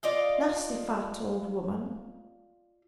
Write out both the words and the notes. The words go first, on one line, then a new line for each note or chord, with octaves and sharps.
Nasty fat old woman!
F4 D5 D#5 F5